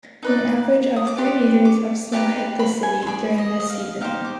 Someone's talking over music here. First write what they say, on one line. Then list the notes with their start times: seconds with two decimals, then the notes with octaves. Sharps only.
An average of three meters of snow hit the city during this season.
0.23 D#4 B4 D5
0.96 D#6
1.07 D6
1.17 G4 B4 D5 C6
1.65 D6
2.12 D#4 G4 B4 D5 D6
2.59 B5
2.83 G#5
3.02 C6
3.07 G#4 D5 B5
3.38 D#5
3.60 D#5
3.70 F5
4.01 D#4 G4 C5 F5
4.24 D6